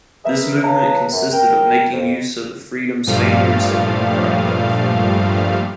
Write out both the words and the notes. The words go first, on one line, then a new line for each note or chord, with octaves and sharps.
This movement consisted of making use of the freedom Spaniards had been deprived of.
G#4 A#4 B4 D#5 E5
G#4 B4 C#5 F5 A5 A#5
F#2
A#4 G5
F2
G2 A#2 F3 G3 A3 F5